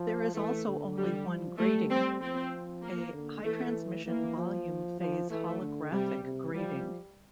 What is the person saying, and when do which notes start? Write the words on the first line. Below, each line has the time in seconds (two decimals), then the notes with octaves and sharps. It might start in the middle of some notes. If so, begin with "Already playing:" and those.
There is also only one grating, a high transmission volume phase holographic grating.
Already playing: F3
0.34 E3 A3
0.66 D3
0.97 G3
1.27 F3
1.58 G3 A3
1.90 C4
2.21 F3 C4
2.82 A#3
3.13 D3
3.44 E3 A3
4.06 E3 A#3
4.37 F3
5.00 F3
5.30 E3 A3
5.61 D3
5.91 C3 G3
6.23 C3
6.54 F3 G3